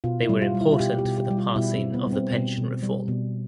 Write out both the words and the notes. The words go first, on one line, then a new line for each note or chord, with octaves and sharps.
They were important for the passing of the pension reform.
B2 F4
E4
G3
F4
G3
E4
F4
B2 G4
G4
B2
G4
G3
F4
B2 E4
C4
G3
B3
G3
C4
B2
B2
G3
B2